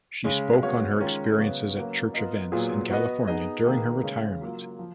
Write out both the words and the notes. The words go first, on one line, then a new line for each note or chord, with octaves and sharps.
She spoke on her experiences at church events in California during her retirement.
C#3 G#3 C#4
G#3 B3 F#4 C#5 F5
D#3 G#3 C#4 F4 A#4
C#3 F#3 B3 F#4 C#5
F#3 A#3 C#4 F#4 B4
B3 F4 A#4 D#5
A#2 F#3 B3 F4 G#4
B3 F#4 B4 D#5
B3 D#4 G#4 D#5
D#3 A#3 D#4 G#4 B4
C#3 G#3 C#4
F#3 A#3 F4
F3